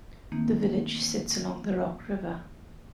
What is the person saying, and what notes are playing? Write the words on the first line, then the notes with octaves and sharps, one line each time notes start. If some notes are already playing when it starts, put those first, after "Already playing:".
The village sits along the Rock River.
D#3 E3 A3 A#3 C4 D#4